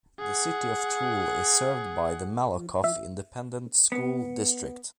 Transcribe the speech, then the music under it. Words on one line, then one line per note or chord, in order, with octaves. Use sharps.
The City of Tool is served by the Malakoff Independent School District.
G#4 F#5
E5
B3